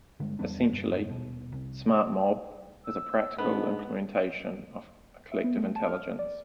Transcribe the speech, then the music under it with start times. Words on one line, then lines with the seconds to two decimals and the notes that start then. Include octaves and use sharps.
Essentially, the smart mob is a practical implementation of collective intelligence.
0.20 G2 D3 G#3
0.39 E2 G3 B3 D4
0.70 E1 G2
1.09 D#1 B2
1.52 C2
2.85 E6
3.38 G#2 B3 D4
5.32 E5
5.44 B3
5.57 A3
5.76 A5
5.87 F6
6.19 D5